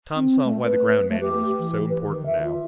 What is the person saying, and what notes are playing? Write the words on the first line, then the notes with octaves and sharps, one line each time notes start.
Tom saw why the ground manuals were so important now.
C4
A3
B4
A3
G4
E3
B4
D#3
E5
F4